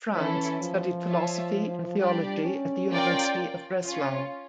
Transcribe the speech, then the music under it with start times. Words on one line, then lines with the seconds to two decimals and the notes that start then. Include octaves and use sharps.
Franz studied philosophy and theology at the University of Breslau.
0.15 E3 C#4 E4 A4
0.60 F3
1.06 F4 C#5 E5 A5
1.98 G3 D4 G4 D5
2.45 C#4
2.91 F4 A#4 D5 G5
3.84 C#4 F4 C#5